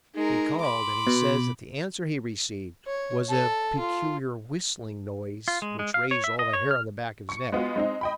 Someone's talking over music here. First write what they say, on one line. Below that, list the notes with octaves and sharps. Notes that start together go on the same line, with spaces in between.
He called, and he says that the answer he received was a peculiar whistling noise which raised all the hair on the back of his neck.
G#3 D#4 A#4
B5 C6 D6
B2
C#5
A4
F4
F4
G#3
G#3
F5
C#5
E5
D#5
C#5
F6
C#6 C#7
G#3 B3 F4 F#4
G#3 C4 D#4
D#5 G5 B5